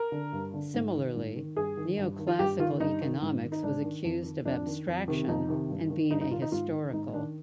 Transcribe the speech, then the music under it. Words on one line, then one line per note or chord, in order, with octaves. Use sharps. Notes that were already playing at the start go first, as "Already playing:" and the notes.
Similarly, neoclassical economics was accused of abstraction and being ahistorical.
Already playing: A#4
D3
G2
D3
G#2
D#3
G#2
D#3
G2 G#4
D#3
G2
D#3
F4
G2 G4
D#3 F4
G2 D#4
D#3
G#2
D#3
D#4
G#2 D4
D#3
F2
D#3
F2 D4
D#3
F2
C3 D#3
F2 D#4
C3 D#3
G2
D#3
G2 D#4
D#4
D#3 F4
D#4
G#2 F4
D#3
G#2 D#4
D#3 D4